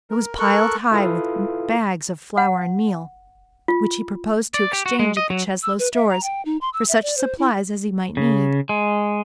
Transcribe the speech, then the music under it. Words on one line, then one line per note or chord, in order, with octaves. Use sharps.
It was piled high with bags of flour and meal, which he proposed to exchange at the Cheslow stores for such supplies as he might need.
A#4
A4 A#4 C#6 F#6
E4 F4 A4 B4 F5 D#6
F#5
F4
D5
G4
F#4
G#3
D#5
F#3
E6
B4
E5
A#5
G5
D#4
C6
E6
E5
D5
C5
E4
C#3
G#3